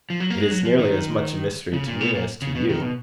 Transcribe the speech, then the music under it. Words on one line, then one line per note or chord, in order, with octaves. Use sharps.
"It is nearly as much a mystery to me as to you."
F3
F#3
A#3
G#3
F#3
F3
D#3
C#3
A#2
B2
A#2
C#3
B2
D#3
B2